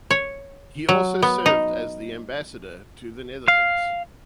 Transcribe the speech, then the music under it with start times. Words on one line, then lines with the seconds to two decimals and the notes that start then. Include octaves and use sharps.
He also served as the ambassador to the Netherlands.
0.11 C#5
0.89 F#3
1.22 B3
1.46 D#4
3.48 F5